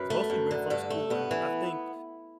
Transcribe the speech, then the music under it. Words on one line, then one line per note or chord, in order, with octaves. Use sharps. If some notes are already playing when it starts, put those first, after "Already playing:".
it's mostly been from school, and I think
Already playing: F#2 B4
A3
F#2
D3
G2 A4
A3
G2 B3
E3